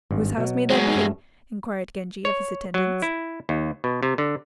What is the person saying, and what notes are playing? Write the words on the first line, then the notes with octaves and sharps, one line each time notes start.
"Whose house may that be?" inquired Genji of his attendants.
G#1 G2
B2 F#3
F#3 G#3 B3 F#4
G2 A3
C#5
F#3
E4
D#2
B2
C3
D3